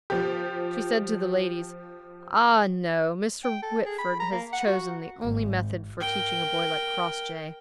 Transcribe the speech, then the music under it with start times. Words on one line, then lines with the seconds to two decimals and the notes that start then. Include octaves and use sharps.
She said to the ladies, "Ah, no! Mr. Whitford has chosen the only method for teaching a boy like Crossjay."
0.10 F3 G4
3.44 G5
3.62 A4
3.85 G#4
3.98 B5
4.20 A#5
4.32 A#3
4.53 F#5
4.67 F#4
5.23 G#1
6.01 A#4 G5